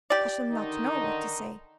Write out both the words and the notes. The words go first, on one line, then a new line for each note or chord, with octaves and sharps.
'I shall not know what to say.'
G4 D5
D3 D#3 D#4